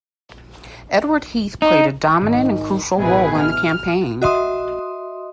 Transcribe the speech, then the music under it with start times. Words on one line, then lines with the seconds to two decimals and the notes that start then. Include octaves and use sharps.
Edward Heath played a dominant and crucial role in the campaign.
1.62 D#4
2.22 G#1
2.98 A1 B2 E4 G#4 B4
3.40 F6
4.22 F#4 D#5 E5 C6 D#6